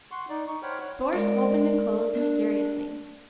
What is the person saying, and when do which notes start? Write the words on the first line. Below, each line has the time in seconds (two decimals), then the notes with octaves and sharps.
Doors opened and closed mysteriously.
0.11 F#5 C6 C#6
0.30 D#4 D5
0.47 D#4 C#6
0.62 C5 C#5 F#5 G5 B5 F6
0.81 C#5 F#5
1.13 G#3 A#4 D5
2.14 D4